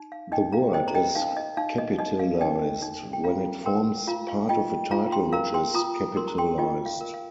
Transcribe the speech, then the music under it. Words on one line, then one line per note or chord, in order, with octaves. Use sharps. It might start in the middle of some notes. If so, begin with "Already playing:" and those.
The word is capitalized when it forms part of a title which is capitalized.
Already playing: D#4
F5
D#4 D#5 G5
F5 A#5
C5 D#5 G5
A#5
D#5 G5
D#4 F5
D#5
D#4 F5
D#5
D#4 D#5
F5
D#4 D#5 G5
D#4
G5
F4 F5 A#5
A#4 G5 C6
F4 F5 A#5
F5
F4 D#5 G5
F4 F5 A#5
G5 C6
A#4 F5 A#5
G5 C6
F4 A#5 D#6
A#4 C6
A#5
G5 C6
F4 D#5 G5
F5
A#4
F5